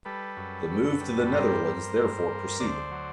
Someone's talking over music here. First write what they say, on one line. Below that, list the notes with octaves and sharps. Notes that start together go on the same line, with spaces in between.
The move to the Netherlands therefore proceeded.
G3 A4 B4
F#2
F#2
G3
B4
G2 A#4 C5
G2
G2
G2
D2 C5 D5
F#3